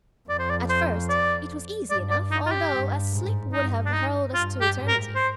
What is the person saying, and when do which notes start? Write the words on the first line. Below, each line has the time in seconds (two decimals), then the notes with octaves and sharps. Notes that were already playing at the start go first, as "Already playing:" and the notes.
At first it was easy enough, although a slip would have hurled us to eternity.
0.29 F2 D5
0.39 C5
0.50 D5
0.70 C5
1.10 D5
1.91 G2 D5
2.11 D5
2.31 D#4
2.47 F4
2.51 G4
2.72 G2
3.13 G#2
3.53 G2 D#4
3.85 D4
3.93 D#4
4.34 G2 F4
4.61 G4
4.75 G#2
4.88 A#4
5.15 C5